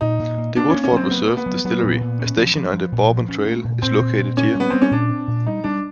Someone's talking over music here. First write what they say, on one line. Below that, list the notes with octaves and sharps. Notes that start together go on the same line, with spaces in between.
The Woodford Reserve Distillery, a station on the Bourbon Trail, is located here.
A#2 D#4
A#2
A#3
A#3 D4
A#3 C#4
C#4
F#3 C4
A#3 B3
A#3
B3
F#3
F#3 B3
A#2
A#2
C#4
F3
F3
F3
A#2
F3
C#4
A3
A#2
A#2 C4
A#2
A#2
C4 C#4
G3 B3
G3 C4
C#4
A#2 D4
C4
A#2
G3 D#4
G3 D4